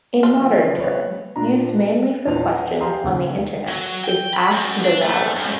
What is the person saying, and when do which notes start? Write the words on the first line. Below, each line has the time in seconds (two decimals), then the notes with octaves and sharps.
A modern term, used mainly for questions on the internet is Ask the rabbi.
0.23 C#3 F3 F#3 A#3 F4
0.79 B4 C#5
1.36 A#2 D4 A#5
1.76 B4
2.26 E2 A#2 D4 D#5 A5 F7
2.45 B4 D#5 F#5 G5 A5
2.81 G4 G#4 F5 G5 A#5 C6
3.04 D#2 C#3
3.67 F#3
4.04 G5
4.34 B5
4.52 F#2
4.84 D4
5.02 A3
5.36 F#2